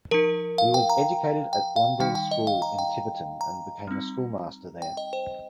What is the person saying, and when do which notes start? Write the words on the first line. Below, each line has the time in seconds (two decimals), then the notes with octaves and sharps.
He was educated at Blundells School in Tiverton, and became a schoolmaster there.
0.11 F3 D#4 A#4
0.58 F5
0.74 G5
0.90 A#5
1.53 G5
1.76 F5
2.00 D#3 G3 D#4 G5
2.15 G5
2.31 D#5
2.47 F5
2.62 A#5
2.79 G5
3.41 A#5
3.87 G3 C4 D#4
4.82 G5
4.97 D#5
5.13 C5